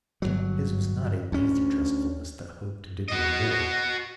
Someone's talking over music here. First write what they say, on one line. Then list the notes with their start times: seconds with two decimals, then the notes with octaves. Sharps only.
His was not a lazy trustfulness that hoped, and did no more.
0.22 G1 C2 F#3
1.32 D2 C#4
3.08 F#4 D#5